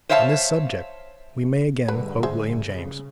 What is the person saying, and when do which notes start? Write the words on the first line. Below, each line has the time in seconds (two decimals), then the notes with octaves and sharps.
On this subject we may again quote William James.
0.09 C5 C#5 E5 F5 G#5 A5
1.88 G#2 D3 G3 B4
2.23 G#4 C5 E5
2.68 C#3